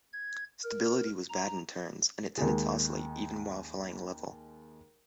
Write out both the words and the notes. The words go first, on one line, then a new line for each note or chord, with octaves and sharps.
Stability was bad in turns, and it tended to oscillate, even while flying level.
G#6
A#4
A#5
D#2 G#3